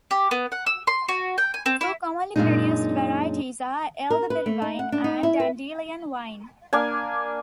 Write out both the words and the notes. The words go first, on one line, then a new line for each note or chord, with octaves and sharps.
Two commonly produced varieties are elderberry wine and dandelion wine.
G4
B3
F#5
E6
C6
F#4
G5
G#5
C4
E4
F#2 A#2 D#3 G#3 D4 D#4
A#4
B4
A3
D#4
F#5
D4
D#4
E4
B4
A#3 D4 G#5